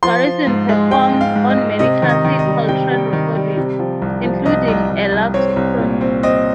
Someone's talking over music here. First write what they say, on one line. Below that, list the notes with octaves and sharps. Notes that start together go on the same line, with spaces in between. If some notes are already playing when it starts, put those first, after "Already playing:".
Garrison performed on many classic Coltrane recordings, including "A Love Supreme".
F3 C6
F3
G#2
G#3
G#3 G5
G#2
F5
G#2
D#5
G#2
C3 D#5
D#3
D#5
D#3
D#5
G3
C3 G5
G3
D#3
G3
C3
F3
C2
F3
C2 D#5
C2
C2
C2
C4 C#5
C2
A#2
C4
C4 D#5